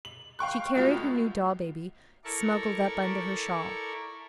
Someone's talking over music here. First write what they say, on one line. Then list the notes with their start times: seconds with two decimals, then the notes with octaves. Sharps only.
She carried her new doll-baby smuggled up under her shawl.
0.05 F#7
0.39 F5 G5 C#6 F#6
0.75 C#2 A2 F4 F#4 C7
2.24 E4 A4 A#4 D5 C#6